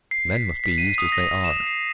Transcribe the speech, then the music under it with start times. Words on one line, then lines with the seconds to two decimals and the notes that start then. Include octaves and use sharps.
Men must be used as they are.
0.11 C7
0.34 B6
0.64 B6
0.78 D#7
0.98 D#6
1.12 A#6
1.44 E7
1.67 C7